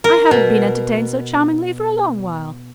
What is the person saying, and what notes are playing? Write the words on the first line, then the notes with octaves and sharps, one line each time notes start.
I haven't been entertained so charmingly for a long while.
A#4
B2